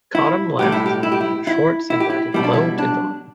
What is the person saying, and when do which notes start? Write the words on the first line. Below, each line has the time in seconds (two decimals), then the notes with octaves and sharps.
Cottam left, and Schwarz invited Lowe to join.
0.15 E4
0.59 B1 A2 G3 G4
0.72 E4
0.86 G4
1.03 E4
1.12 G4
1.21 E4
1.47 E4
1.90 E4
2.00 G4
2.10 E4
2.34 B1 B2 G3 E4
2.44 D4
2.53 E4
2.78 D4